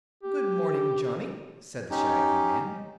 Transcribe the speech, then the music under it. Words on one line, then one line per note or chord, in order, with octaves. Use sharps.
"Good morning, Johnny," said the shaggy man.
G4
C#4 D#4 G4